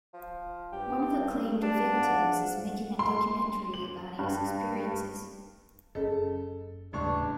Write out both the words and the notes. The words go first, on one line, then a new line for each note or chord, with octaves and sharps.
One of the claimed victims is making a documentary about his experiences.
F3
G2 G4
D4
G#2 F5 F#5
C6
F#7
G2
F#1 C#4 G#4 A4 D#5
D#1 A1 C#3 G#3 D4 C#6